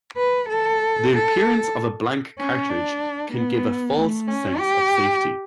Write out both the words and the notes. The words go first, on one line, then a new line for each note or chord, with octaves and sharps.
The appearance of a blank cartridge can give a false sense of safety.
B4
A4
A4
C#4
D4
B3
A3
C#4
G4